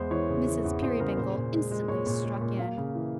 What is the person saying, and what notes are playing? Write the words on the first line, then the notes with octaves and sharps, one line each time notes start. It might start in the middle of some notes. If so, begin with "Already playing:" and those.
Mrs. Peerybingle instantly struck in.
Already playing: E2 G#3 C5
E3 C#5
C#3
E3
E2
E2 C5
C#3 A#4
A#2 C5
A#2
G#3
G#3
A#2 C#5
A#2
G#3
A#2
A#3 F5
C#3
E3